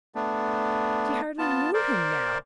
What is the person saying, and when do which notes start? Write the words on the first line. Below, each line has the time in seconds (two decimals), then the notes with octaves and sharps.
She hardly knew him now!
0.15 A3 B3 D4
1.39 B3 F4 A5
1.74 A#4 C5 D5